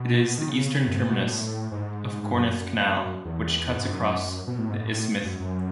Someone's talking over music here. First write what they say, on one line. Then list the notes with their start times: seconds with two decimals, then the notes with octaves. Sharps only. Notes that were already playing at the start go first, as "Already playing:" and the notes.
It is the eastern terminus of the Corinth Canal, which cuts across the isthmus.
Already playing: B2
0.38 D#3
0.49 C#3
0.88 F#2
0.96 G#2
1.03 A2
1.11 B2
1.26 A2
1.71 G#2
2.23 G#2
2.33 F#2
3.25 E2
3.77 G#2
3.86 F#2
4.47 B2
4.58 A2
4.69 G#2
4.80 A2
5.24 F#2
5.40 F#2